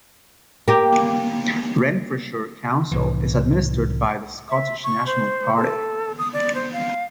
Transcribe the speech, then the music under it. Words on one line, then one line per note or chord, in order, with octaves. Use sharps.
Renfrewshire Council is administered by the Scottish National Party.
A#3 G4
C2 A2 E3
E5
C#6
C5
A4
D#6
D5
C5
F5